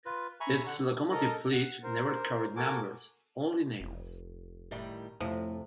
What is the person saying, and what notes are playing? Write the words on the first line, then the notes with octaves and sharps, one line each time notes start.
Its locomotive fleet never carried numbers, only names.
F4 B4
E5 G#5 A#5 B5 C#6
D3 F#5
A4 A#4 D#5 A#5
F#5
A#4 C5
F#4 A4 A#4 G#5 D6
F1
A2 D#3 G3
F2 A2 C3 F3